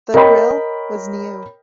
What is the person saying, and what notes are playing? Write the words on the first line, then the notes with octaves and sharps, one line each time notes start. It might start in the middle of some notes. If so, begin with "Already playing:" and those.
The grille was new.
A#4 C#5 D#5 G5 B5